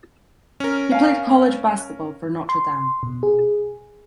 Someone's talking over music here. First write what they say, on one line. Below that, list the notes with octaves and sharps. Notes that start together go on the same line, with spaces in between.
He played college basketball for Notre Dame.
C#4 A#4
F5 G#5
C6
B2
G#4